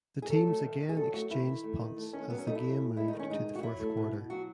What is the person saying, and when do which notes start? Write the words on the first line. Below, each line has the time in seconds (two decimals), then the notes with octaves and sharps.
The teams again exchanged punts as the game moved to the fourth quarter.
0.22 G#4
0.30 F#3 A4
0.47 A3
0.64 D#3
0.80 D#3
0.89 G#4
0.97 F#3 A4
1.13 A3 F#4
1.30 D#3 E4
1.47 D#3
1.64 A3
1.80 D#3
1.97 A3
2.13 D#3 C#4
2.30 F#3 B3
2.38 C#4
2.47 A3 D#4
2.55 E4
2.64 C#3
2.80 C#3
2.96 G#3 E4
3.08 D#4
3.13 D#3
3.19 C#4
3.30 G#3 D#4
3.46 D#3
3.55 F#4
3.63 F#3 E4
3.80 A3
3.97 B2
4.13 B2
4.30 F#3 F#4